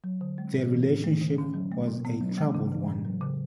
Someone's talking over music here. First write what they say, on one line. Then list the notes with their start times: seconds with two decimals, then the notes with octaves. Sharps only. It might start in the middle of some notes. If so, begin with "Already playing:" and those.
Their relationship was a troubled one.
0.04 F#3
0.21 D3
0.38 G#3
0.54 A2
0.71 E3
0.88 A2
1.04 A3
1.21 D3
1.38 C#4
1.54 F#3
1.72 A3
1.88 B2
2.05 B3
2.21 F#3
2.38 G#3
2.55 C#3
2.72 E3
2.89 A2
3.05 F#3
3.21 C#3